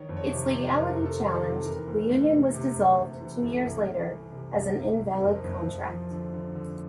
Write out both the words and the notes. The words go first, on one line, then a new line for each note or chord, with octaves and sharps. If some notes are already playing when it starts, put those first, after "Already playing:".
Its legality challenged, the union was dissolved two years later as an invalid contract.
Already playing: D#3 C#5
F2
C#5
C3
C5
C3
F2 A#4
F2
A4
D#3
A4
C3
E3 A#4
D2
D2
C3
C3
D2
C3
E3
C2 A4
C2
C2
E3
C3
C2
C2
C2
F2 A#4
F2
F2
F3
D3
D3
D3